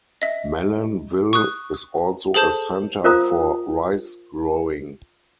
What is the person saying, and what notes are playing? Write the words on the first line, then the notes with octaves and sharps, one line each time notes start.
Malanville is also a centre for rice-growing.
D#5 E5
C#6 D#6 F#6
G#4 A4 C5 A5 G6
F4 A#4 C5 F5 A#5 D#6